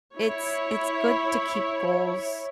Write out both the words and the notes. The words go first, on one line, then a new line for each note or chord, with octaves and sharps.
It's it's good to keep goals
E4 C#5